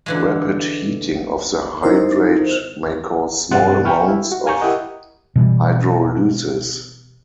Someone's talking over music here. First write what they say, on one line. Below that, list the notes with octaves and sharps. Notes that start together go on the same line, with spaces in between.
Rapid heating of the hydrate may cause small amounts of hydrolysis.
D3 E3 G#3
D#4 E4 A#4 C5
G2 C3 F#5 C6 F#6 A6
G5 G#5 B5 C#6 F6
E4
F#4
F5 G#5 A#5 C#6 G6
E4 G4 A#4 D#5 F#5
B2 E3 G3